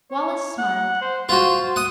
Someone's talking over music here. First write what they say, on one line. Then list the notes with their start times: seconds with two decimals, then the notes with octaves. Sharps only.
Wallace smiled.
0.11 C#5
0.58 F#5
1.01 C5
1.29 F4 F#4 C5
1.76 F#5 D#6